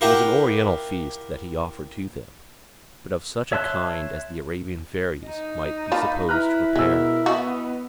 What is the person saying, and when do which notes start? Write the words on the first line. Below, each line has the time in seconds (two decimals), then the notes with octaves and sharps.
It was an Oriental feast that he offered to them, but of such a kind as the Arabian fairies might be supposed to prepare.
0.01 E4 F4 G4 A#4 E5 F#5
3.52 C#5 E5 A5 C6 F#6
5.26 D#4
5.92 A#3 F4 A5 B5
6.29 E4 B4 A#5 F6 F#6
6.76 B2 G#3 A#4 E6
7.26 E3 B3 F#4 D#5